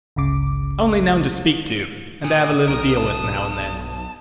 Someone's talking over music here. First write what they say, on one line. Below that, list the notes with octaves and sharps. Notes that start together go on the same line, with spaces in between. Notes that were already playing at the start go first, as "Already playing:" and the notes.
Only known to speak to, and to have a little deal with now and then.
G1 C#2 C#3 D6
A#2 D#6
B1 A#4
A5